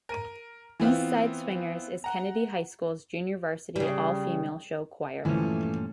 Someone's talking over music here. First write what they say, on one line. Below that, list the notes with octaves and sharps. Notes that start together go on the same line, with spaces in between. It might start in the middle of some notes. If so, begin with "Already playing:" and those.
East Side Swingers is Kennedy High School's Junior Varsity all-female show choir.
A#4 D#7
E3 B3 C4 F4
F#5 A#5
C#3 G3
G2 A#2 E3 F3 A3 C#4